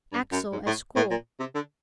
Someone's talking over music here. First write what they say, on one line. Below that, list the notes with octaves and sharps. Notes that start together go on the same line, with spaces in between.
Axel at school.
G2
F#2
G#2
A2
A2
A#2
C3
D3